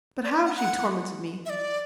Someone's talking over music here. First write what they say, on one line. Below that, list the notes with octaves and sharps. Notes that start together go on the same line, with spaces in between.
But how she tormented me!
D5
E5
F#5
F#5
E5
D5